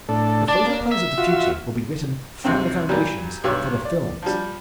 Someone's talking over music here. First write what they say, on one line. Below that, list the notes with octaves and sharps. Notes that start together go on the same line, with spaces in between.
The photoplays of the future will be written from the foundations for the films.
A2 D4 A4
D4 D5 A5
A#3
E5
F4 F#4
G#1 D#2 G#2 C3 C4 G5
A#2 F#3 G3
B1 G2 G4 C#5 E6
D5
F3 G3